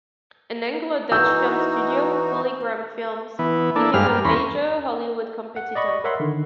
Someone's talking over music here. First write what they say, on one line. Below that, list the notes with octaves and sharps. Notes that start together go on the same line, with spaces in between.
An Anglo-Dutch film studio, PolyGram Films became a major Hollywood competitor.
E3 D#4 F#4 E6 G6
E3 B3
A#3 D4 E4 A4
G2 G3 G#3 F5 F6
G3 A#3
E2 C#4 A#4 B5 C6
F#5
D5 D#5 B5 C#6
A#4 C#5 E5 F#5 B5 C6
D3 D#3